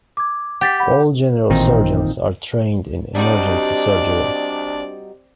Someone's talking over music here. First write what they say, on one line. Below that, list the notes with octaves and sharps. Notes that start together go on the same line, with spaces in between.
All general surgeons are trained in emergency surgery.
D6 G#6
G4 F#5 A6 B6
F#5 B5
A1 A#2 D#3 C4 D#4
G3 C4 D4 D#4 F#4 D5